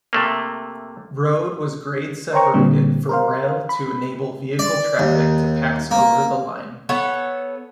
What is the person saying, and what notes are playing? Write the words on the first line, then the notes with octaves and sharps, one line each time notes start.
Road was grade-separated from rail to enable vehicle traffic to pass over the line.
C3 A3 A#3
A#4 C5 C#5 G5 A#5 C#6
A#2 D3 G3 C4
A#4 C5 F5
B5
D5
D#2
A#3
B3 A4 C#5